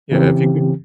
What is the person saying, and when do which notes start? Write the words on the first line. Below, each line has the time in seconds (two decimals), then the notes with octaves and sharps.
Yeah, if you could
0.12 C#3 E3 C4 G4